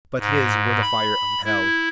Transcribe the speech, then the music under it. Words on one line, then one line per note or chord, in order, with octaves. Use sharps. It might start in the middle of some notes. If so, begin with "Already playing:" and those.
But his were the fire of hell.
G#2
B5
E4